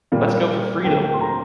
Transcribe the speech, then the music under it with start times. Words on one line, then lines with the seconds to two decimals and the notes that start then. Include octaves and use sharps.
Let’s go for Freedom!
0.12 A#2 G3 A#3 F5
0.84 D2 D3 A#3 G5
1.03 G5
1.13 C6
1.21 A#5